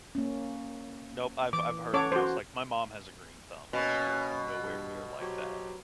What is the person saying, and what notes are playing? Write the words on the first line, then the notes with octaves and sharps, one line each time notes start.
Nope, I've I've heard of those, like, my mom has a green thumb, but she is nowhere near like that.
A#3 C#4
E3 D6
C#4 A4 C#5 F#5 D6
F#4 C5
B2 A#3 C#4
G2
F#3 G4 C5